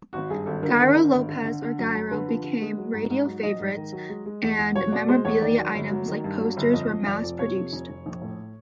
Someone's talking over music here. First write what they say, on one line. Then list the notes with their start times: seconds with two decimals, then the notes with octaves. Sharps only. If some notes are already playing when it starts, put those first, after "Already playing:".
Giro Lopez or Giro became radio favorites, and memorabilia items like posters were mass-produced.
0.13 G#1 F#4
0.30 G2 G#4
0.46 G#1 A4
0.63 D3 A#4
0.80 G#1 A#4
0.96 D3
1.12 G#1
1.29 D3
1.45 D3
1.62 D3
1.79 F#2
1.95 F#2
2.11 D3 B4
2.28 F3
2.44 D3
2.61 G#3
2.78 F#3
2.93 G#2
3.10 G#2
3.27 F#3
3.43 A#1 D#5
3.60 G#2
3.77 D#3
3.92 F#3
4.10 G#3
4.26 G#3
4.43 E2
4.58 E2
4.75 B2 C#5
4.92 B2 D5
5.08 G#3 C5
5.25 E2 C#5
5.41 D#3 D5
5.58 F#3
5.74 G1
5.91 F#3
6.08 D#3
6.24 G2
6.41 F#3
6.57 G1
6.73 F2 D#5
6.90 F2
7.06 F1 D5
7.23 F2
7.39 C3 C#5
7.56 F2
7.73 F1
7.89 F1
8.06 A#1
8.22 A2